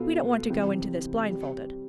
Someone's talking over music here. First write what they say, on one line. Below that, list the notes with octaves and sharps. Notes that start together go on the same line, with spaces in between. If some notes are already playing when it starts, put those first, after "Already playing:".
"We don't want to go into this blindfolded."
Already playing: B2 B3 F4 A4
C3 E3 G3 C4 G4
G3 C4 G4